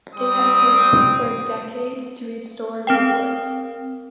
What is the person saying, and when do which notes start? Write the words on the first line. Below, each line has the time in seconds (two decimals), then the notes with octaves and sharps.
It has worked for decades to restore the woods.
0.14 G3 C4 D#6
2.87 C4 A#4 G5